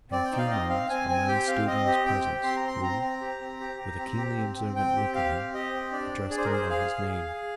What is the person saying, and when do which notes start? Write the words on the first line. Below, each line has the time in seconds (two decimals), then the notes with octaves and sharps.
In a few moments, a man stood in his presence, who, with a keenly observant look at him, addressed him by his name.
0.11 C4 D5
0.25 G5
0.31 D#4
0.38 F5
0.50 C4 D#5
0.70 C4 F5
0.90 C4 G#5
1.08 C4 G#5
1.28 G4 G5
1.47 C4 F5
1.67 C4 D#5
1.85 G4 D#5
2.05 C4 G5
2.25 G4
2.43 C4 C6
2.57 A#5
2.63 C4 C6
2.82 C4 A#5
3.02 C4
3.21 G4
3.41 C4
3.60 G4
3.80 G4
3.98 C4
4.18 G4
4.37 C4
4.57 C4
4.76 C4 G5
4.96 G4
5.14 G4 F5
5.34 C4
5.54 G4 D#5
5.73 C4
5.92 D4 D5
6.12 D4
6.30 G#4 D5
6.37 C5
6.45 A#4
6.51 G#4 C5
6.70 G#4 F5
6.90 G#4
7.08 G#4
7.27 G#4